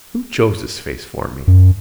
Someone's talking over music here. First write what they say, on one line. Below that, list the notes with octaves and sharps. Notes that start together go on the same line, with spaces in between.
Who chose this face for me?
F#2